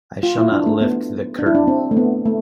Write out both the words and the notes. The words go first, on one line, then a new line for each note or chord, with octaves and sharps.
I shall not lift the curtain'.
F4
E4
D4
A3
B3
D4
E4
D4
C4
A3
B3
A3